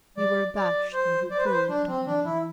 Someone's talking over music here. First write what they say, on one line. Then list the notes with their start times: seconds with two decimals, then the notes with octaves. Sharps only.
We were abashed and reproved.
0.17 F#3 D5
0.55 D5
0.93 C5
1.31 D5
1.37 C5
1.45 B4
1.52 C5
1.69 F#3 D4
1.88 F#3 C4
2.07 E3 D4
2.25 E3 E4